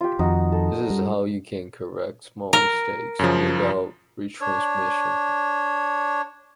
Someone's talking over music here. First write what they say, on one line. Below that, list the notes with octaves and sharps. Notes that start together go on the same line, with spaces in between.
That is how you can correct small mistakes, without retransmission.
F4 G4
F2 D#3 D#4 F#4
A4
G3
A#4
F#2 C#3 F3
D4 C#5